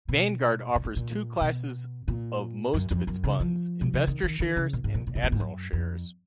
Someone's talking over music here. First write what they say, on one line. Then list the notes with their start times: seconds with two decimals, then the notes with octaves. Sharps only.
Vanguard offers two classes of most of its funds: "investor shares" and "admiral shares".
0.09 B2
0.75 A#2
0.85 G#2
0.96 A#2
1.41 B2
2.08 A#2
2.74 F#2
2.91 F2
3.07 F#2
3.24 C#3
3.40 F3
3.81 B2
3.94 C#3
4.07 D#3
4.23 D#3
4.40 D#3
4.57 C#3
4.73 A#2
4.84 G#2
4.94 A#2
5.07 A#2
5.15 B2
5.24 A#2
5.32 G#2
5.40 F#2
5.73 F2